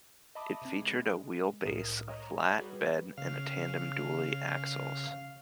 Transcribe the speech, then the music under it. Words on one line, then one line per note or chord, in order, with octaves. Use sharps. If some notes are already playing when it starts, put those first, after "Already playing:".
It featured a wheelbase, a flat bed and tandem dually axles.
D#5 E5 A5 B5 D6 D#6
C3 C4
G#3
C2 A2 A#4 D#6
C#5 D#5 A#5 D#6
G3 F#4 G#4 B4
C#3 F5